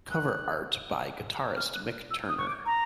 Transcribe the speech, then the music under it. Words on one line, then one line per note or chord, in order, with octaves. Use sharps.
Cover art by guitarist Mick Turner.
F#6
F6
F#6
E6
D#6
C#6
D6
A#5